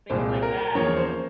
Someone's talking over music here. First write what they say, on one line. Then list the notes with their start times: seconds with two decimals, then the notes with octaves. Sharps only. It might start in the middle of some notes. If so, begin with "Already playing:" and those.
things like that.
0.10 C2 A#2 G#3 C5
0.42 A#4
0.75 E2 C#3 F3 A#3 C#5
0.96 C5